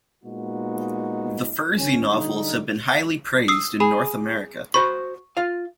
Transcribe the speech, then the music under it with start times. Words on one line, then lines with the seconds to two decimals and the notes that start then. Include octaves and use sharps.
The Fursey novels have been highly praised in North America.
0.24 A#2 G#3 B3 D#4 F#4
1.76 G#1 C#4
2.09 D3 G3 D#4
3.48 D#6 E6 C7
3.80 G#4 B5
4.74 F#4 C5 B5 C#6
5.37 F4 F5